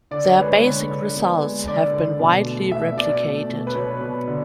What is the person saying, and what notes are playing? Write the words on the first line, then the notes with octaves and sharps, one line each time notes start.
Their basic results have been widely replicated.
D3 D5
C#5
G#3 B4
C#5
D3
D3
B3
G#3
D3 D5
D3
B2
A3
B2 E5
B2 D5
A3
B2
B4
B2 C#5
B2
D3